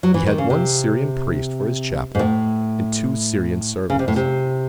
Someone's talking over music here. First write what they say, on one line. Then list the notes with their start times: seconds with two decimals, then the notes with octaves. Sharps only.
He had one Syrian priest for His chaplain, and two Syrian servants.
0.03 F#3
0.14 E3
0.26 D#3
0.38 C#3
0.50 C3
2.15 G#2
2.19 A2
3.90 C#3
3.99 C3
4.08 A2
4.16 C3